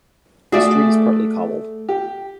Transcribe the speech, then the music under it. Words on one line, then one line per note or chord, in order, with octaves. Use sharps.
The street is partly cobbled.
A3 F#4 G#4 D5 E5
G4